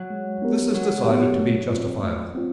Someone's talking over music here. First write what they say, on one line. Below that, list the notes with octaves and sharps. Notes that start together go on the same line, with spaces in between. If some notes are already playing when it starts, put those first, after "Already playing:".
This is decided to be justifiable.
Already playing: F#3
G#3
B3 D4 G4 A#4
F#3 G#3
B3 D4 G4 A#4
A3
C4 F4
A3
C4 F4